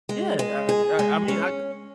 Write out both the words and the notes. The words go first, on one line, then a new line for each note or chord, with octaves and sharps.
Yeah, I I I mean, I
G#3
G#3
G#4
G#3
C#4